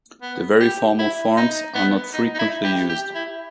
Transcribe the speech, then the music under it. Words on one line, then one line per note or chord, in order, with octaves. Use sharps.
The very formal forms are not frequently used.
B3
G4
E4
D#4
B3
D#4
D#4
E4
G4
G4
E4